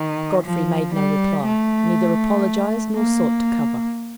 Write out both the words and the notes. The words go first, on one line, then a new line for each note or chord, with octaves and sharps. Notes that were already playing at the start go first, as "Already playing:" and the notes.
Godfrey made no reply--neither apologized nor sought to cover.
Already playing: D#3
F3
G3
A3
A#3